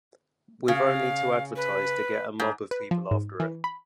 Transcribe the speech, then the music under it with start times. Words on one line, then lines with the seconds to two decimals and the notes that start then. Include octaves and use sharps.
We've only to advertise, to get a mob of people after it.
0.68 C#3 F5
1.56 B4
2.40 G#2
2.71 B4
2.91 F3
3.11 G#2
3.40 E3
3.64 B5